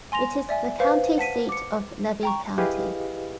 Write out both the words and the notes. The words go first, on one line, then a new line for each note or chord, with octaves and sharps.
It is the county seat of Levy County.
G#5 C6 A#6 F7
D5 E5 G#5
B4 C5 F5
F#5 A5 B6 D#7
D6 C#7
G5 A#5 C#6
E4 G4 G#4 B4 D#5 F5